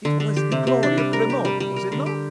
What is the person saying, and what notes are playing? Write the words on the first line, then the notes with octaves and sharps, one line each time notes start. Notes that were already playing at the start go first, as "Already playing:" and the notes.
It was the glory of Cremona, was it not?
D3
D3
G4
C3
C3
D4
G3
A#4
G4
G3
G3
A#4
D3
G4